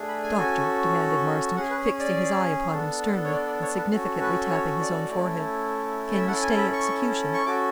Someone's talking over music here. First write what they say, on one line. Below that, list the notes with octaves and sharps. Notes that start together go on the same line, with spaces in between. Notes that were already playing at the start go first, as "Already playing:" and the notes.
"Doctor," demanded Marston, fixing his eye upon him sternly, and significantly tapping his own forehead, "can you stay execution?"
Already playing: A3 D4 G#4
B5
G#5
C#4 F#4 A4
C#4 G#4 F#5
B4
C#5
D5
B3 D4 A4
C#5
D5
D5
C#5
B4
C#4 F#4 A4
B4
C#5
D5
A3 C#4 E4 A4
E5
C#4 E4 A4 F#5
G#5
B5
C#6
C#6
C#4 F#4 A4 D6